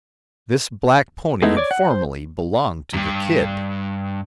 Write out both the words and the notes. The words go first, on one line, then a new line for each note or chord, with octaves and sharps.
This black pony had formerly belonged to the "Kid."
G#3 A3 B3 D#4 E4
C#5 D5 D6
F#5
C5
E2 G2